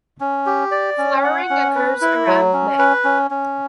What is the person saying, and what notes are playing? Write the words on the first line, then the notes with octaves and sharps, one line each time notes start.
Flowering occurs around May.
C#4
G4
D5
C#4
F#5
C#4
B4
E4
F#3
C#4
B4
C#4
C#4